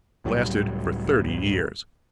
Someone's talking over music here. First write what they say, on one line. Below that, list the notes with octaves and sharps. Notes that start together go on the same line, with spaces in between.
It lasted for thirty years.
C#2 A2 F#3 G3